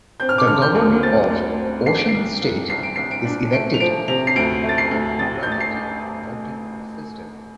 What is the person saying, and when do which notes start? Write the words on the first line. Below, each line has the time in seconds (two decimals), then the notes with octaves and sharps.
The Governor of Osun State is elected using the plurality voting system.
0.20 C4 G6
0.29 F6
0.38 D6
0.47 D3 F6
0.62 G6
0.75 D2
1.03 C4 A6
1.31 D2
1.59 C4
1.86 D4 C7
1.98 D7
2.09 C7
2.14 C2
2.42 C2
2.69 C2 C7
2.83 D7
2.96 C2 C7
3.11 D7
3.25 D4
3.53 A3 D7
3.74 F7
3.80 F3 D7
4.08 C3 F7
4.27 C7
4.36 D2 D7
4.63 A3
4.69 A6
4.78 C7
4.91 D2
5.19 A1 A6
5.43 G6
5.47 A1 A6
5.60 C7